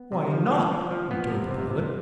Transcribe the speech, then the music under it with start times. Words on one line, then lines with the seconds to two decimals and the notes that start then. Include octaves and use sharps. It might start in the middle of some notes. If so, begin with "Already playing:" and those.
"Why not?" returned the pilot.
Already playing: B3
0.12 C3
0.32 F3
0.51 F3
0.71 F3
0.91 F3
1.11 F3 B3
1.30 C3
1.51 C3
1.71 C3